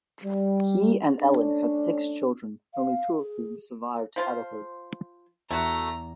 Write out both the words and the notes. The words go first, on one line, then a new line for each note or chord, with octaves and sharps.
He and Ellen had six children, only two of whom survived to adulthood.
G3
A3 C#4 D4
F5
G#4
F3 F4 C5
E2 A3 F#4 A#5